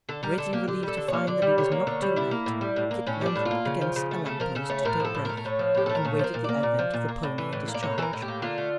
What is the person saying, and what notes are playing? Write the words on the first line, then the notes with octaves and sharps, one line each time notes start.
Greatly relieved to find that he was not too late, Kit leant against a lamp-post to take breath, and waited the advent of the pony and his charge.
D3 A4
G3 A#4
D3 A4
A#3 G4
D3 G4
G3 A4
D3
A#3 C#5
D3 D5
G3
D3 C#5
A#3
D3 C#5
G3
D3 E4
A#3
A2
G3
A2
A#3
A2 C#4
G3 D4
A2
F4
A#3
C#3
F3
C#3
A3
C#3 A4
F3 A#4
C#3 A4
A3 C#5
A2 A#4
F3 A4
A2
A#4
A3
A#4
A2 C#5
F3
A2 G4
A3 A4
A#4
A#2 C#5
F3 A#4
A#2
A#3 D5
A#2
F3
A#2
A#3
A2
E3
A2
A#3
D5
A2 C#5
E3 A4 A#4
A2
G4
A#3
D3 F4
A3